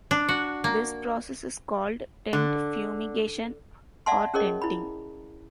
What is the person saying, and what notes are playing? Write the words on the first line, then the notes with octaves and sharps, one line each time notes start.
This process is called tent fumigation or "tenting".
D4
F#4
A#3
D3
D5 E5 F#5 A5 C6
C#4 G#4 A#4 C#5 D#5
E4 B5